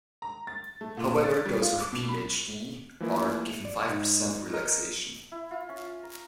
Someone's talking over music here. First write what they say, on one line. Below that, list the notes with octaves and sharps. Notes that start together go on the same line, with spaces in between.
However, those with Ph.D are given five percent relaxation.
A#5
A6
A3
A#2
A6
G3
F4
D6
B2
B5
E3 F3 A3 A#3 E4 A#4
D5
G#2 D#4
A#4 D#5 A#5 F6
E4
F4
C#4
A#5